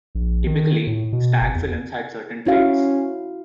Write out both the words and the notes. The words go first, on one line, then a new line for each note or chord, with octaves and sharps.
Typically, stag films had certain traits.
A#1
D#3
A2
B2
F#1
E2
C#4 E4 F#4 F5